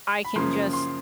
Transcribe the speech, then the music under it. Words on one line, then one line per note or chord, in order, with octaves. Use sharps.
I can just
B5
F#2 C#3 F3 A#3 C6
C6